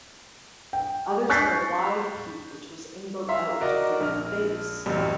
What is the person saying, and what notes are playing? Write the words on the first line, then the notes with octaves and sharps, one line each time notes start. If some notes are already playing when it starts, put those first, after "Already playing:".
Others had a wide peak which was angled out to frame the face.
G5
C#6 F#6 G6 A6 B6 C7
E5 F5 A#5 C6
F#4 A#4 D5 D#5
A#1 F6
D1 A1 F#2 C3